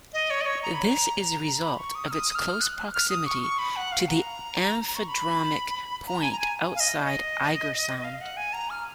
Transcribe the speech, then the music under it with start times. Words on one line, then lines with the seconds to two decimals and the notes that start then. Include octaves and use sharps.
This is a result of its close proximity to the amphidromic point outside Eigersund.
0.13 D#5
0.30 C#5
0.41 D#5
0.46 C#5
0.63 A#5
0.74 B5
0.85 A#5
1.61 B5
1.78 C#6
1.95 D#6
2.07 F6
2.11 D#6
2.35 F6
2.61 F#6
2.94 F6
3.10 D#6
3.26 C#6
3.42 C#6
3.59 B5
3.76 F#5
3.92 F5
4.08 A#5
4.96 C#6
5.08 B5
6.07 A#5
6.22 G#5
6.32 A#5
6.40 G#5
6.75 F5
6.80 D#5
7.04 D#5
7.99 D#5
8.04 F5
8.21 F#5
8.37 G#5
8.53 A#5
8.70 F6